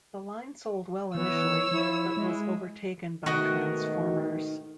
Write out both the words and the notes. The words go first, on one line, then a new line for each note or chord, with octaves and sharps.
The line sold well initially, but was overtaken by Transformers.
E3 B3 C#5 E6
F3 E4
G#3
G#2 B2 D#3 A3 F#4 A#4 D#5